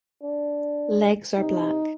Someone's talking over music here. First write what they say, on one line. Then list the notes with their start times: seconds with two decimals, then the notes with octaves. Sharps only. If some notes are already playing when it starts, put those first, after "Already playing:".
Legs are black.
0.23 D4
1.38 C3 D#4